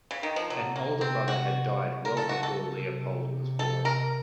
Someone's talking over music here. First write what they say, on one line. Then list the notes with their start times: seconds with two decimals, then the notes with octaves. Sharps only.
An older brother had died well before Leopold was born.
0.11 C#3
0.23 D#3
0.36 F3
0.50 C3 F#3
0.76 A#3
1.01 C4
1.28 F#4
2.05 C#3 A#4
2.17 A4
2.29 F#4
2.43 A4
2.82 C3
3.59 A4
3.85 A#4